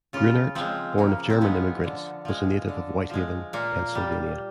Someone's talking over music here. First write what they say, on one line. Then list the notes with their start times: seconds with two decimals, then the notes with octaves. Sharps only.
Grunert, born of German immigrants, was a native of White Haven, Pennsylvania.
0.13 C#3 F4
0.55 F3 G#3 C4
0.98 C#3 A#3
1.30 C4
1.41 F3 G#3 B3
1.84 D3
2.25 F3 G#3
2.68 D3
3.10 F3 G#3
3.53 A#2 A#3
3.95 G3